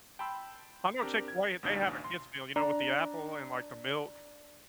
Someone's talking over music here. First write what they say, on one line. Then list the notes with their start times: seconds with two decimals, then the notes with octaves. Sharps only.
I know Chick-fil-A, if they have a kids meal, you know, with the apple, and, like, the milk
0.19 G5 A5 B5 C6 E6
1.02 C4 D4 G4 A#4
1.28 G#6
1.63 A1 D2 B2 D4 D#4 F5
2.04 C6
2.56 D4 D5 A#5